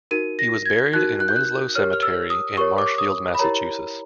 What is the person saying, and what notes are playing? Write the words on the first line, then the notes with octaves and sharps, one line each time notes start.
He was buried in Winslow Cemetery in Marshfield, Massachusetts.
D#4 F#4 A#4 D#7
A#6
G#6
D#4 F#4 A#4 F#6
F#6
G6
F#6
G4 A#4 C#5 F6
F6
E6
D#6
G4 A#4 C#5 C#6
D6
D#6
B5
E4 G4 A#4 C#5 A#5